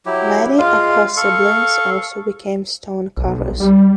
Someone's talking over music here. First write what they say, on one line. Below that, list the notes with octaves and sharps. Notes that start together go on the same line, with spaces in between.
Many of her siblings also became stone carvers.
F#3 E4 G4
G#3 F4 F5
A4 F5 C#6
B1
G3